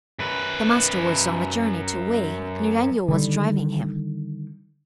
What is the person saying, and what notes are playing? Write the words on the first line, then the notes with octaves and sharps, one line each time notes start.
The Master was on a journey to Wei, and Yen Yu was driving him.
F#2 B4
D3 D#3 G3